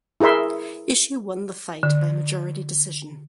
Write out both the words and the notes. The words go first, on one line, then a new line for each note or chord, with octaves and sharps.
Ishii won the fight by majority decision.
E4 G#4 A#4 E5 C6
D3